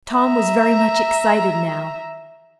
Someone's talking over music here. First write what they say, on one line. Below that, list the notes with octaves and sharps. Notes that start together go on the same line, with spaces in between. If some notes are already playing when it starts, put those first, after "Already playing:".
Tom was very much excited now.
E5 A#5